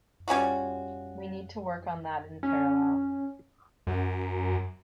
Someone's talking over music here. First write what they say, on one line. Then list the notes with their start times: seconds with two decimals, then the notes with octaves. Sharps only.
We need to work on that in parallel.
0.28 G3 C#4 F4 F#4
2.43 C#4
3.87 F#2